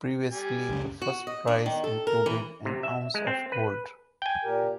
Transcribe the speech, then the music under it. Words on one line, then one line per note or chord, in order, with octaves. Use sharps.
Previously, the first prize included an ounce of gold.
G3 G#5
C#2 F#2 C#3
F#4
D#5
D4
D#3
A4
A#4
E3
C3
E5
G#3
C4
B4
G5 G#5
A#2 G4 A#4